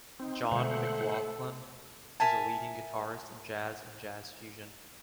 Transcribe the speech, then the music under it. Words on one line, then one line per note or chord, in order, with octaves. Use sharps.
John McLaughlin is a leading guitarist in jazz and jazz fusion.
C4 D#4
B2 D3 G#3 A3 A4 C5 E5 F#5
A#4 E5 G#5 A5